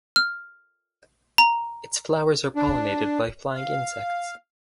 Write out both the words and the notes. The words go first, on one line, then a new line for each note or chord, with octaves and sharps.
Its flowers are pollinated by flying insects.
F6
A#5
D4
F5